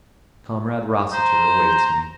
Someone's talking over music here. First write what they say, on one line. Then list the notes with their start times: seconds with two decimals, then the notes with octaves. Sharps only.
Comrade Rossiter awaits me.'
1.13 C5 A#5